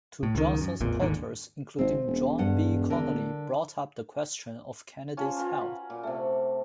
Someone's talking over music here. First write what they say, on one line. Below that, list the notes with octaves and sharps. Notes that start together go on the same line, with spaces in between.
Two Johnson supporters, including John B. Connally, brought up the question of Kennedy's health.
A2
C#2 D#3
F#2
A1 E2 A#2
G#1 D#2 G#2 D3
G#1 C4
E1
G2 F#5
D3 A#4
C#4 F4 G#5 A5
F4 B4 G5 A#5
F#4 B5
A#2
C3 A3